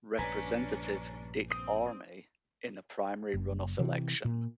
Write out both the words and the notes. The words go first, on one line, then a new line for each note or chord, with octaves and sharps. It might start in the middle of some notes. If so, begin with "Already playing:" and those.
Representative Dick Armey, in a primary runoff election.
A#1 G2 C#4 D4 B4 G#5 A#5
C4 D#6
F#1
C3 E3
A#2